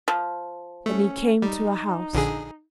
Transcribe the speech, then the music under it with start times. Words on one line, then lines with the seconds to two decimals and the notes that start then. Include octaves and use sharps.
Then he came to a house.
0.08 F3
0.86 A3 C#4
1.42 G3 D#4
2.13 A#1 D3 G#4